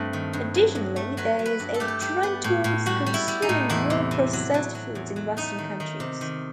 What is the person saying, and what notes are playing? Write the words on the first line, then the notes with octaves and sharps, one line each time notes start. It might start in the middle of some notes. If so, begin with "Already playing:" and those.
Additionally, there is a trend towards consuming more processed foods in western countries.
Already playing: G2 A3 C4
D#3
G2
F#3
G2
A3
F#3 B4
F#3
B4
G2
A4
A3 G4
A4
G3 G4
B3
A2
A2
G3 F#4
G3
E4
G3
D#4
A2
E2 E4
C3
C3
F#3
F#3
F#3
E2
F#3
A3 D#4
D#3
D#3
C3
D#3